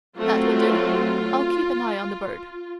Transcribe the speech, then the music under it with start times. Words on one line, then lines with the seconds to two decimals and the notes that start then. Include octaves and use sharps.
"That will do; I'll keep an eye on the bird."
0.18 F#3 A3 C4 F4